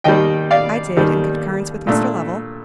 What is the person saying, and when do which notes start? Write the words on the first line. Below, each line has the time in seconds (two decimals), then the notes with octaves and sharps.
"I did, in concurrence with Mr. Lovell."
0.04 D#2 D#3 G3 D#5 G5
0.51 D5 F5
0.96 D#2 D#3 G3
1.87 A#2 A3 D4